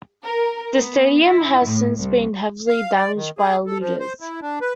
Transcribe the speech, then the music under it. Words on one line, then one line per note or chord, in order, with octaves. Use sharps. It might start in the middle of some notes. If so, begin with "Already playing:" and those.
The stadium has since been heavily damaged by looters.
A#4
B3
E4
A2
C2
F5
D5
D#3
G#4
A4
F3
C5
E4
D4
B4